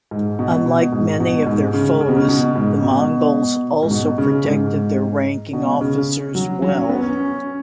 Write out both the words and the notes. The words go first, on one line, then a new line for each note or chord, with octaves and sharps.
Unlike many of their foes, the Mongols also protected their ranking officers well.
G#2
B2
B2
G#2
B2
G#2
C#3
C#3
B2
C#3
B2
G#2
B2
G#2
B2
C#3
G#2
B2
C#3
F#3
F#3
C#4
B3
C#4